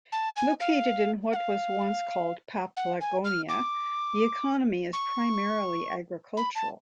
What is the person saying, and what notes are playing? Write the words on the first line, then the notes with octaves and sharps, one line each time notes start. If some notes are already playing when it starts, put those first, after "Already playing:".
Located in what was once called Paphlagonia, The economy is primarily agricultural.
A5
G#5
F5
F#5
F5
F#5
G#5
F6
D6
C#6
B5
A5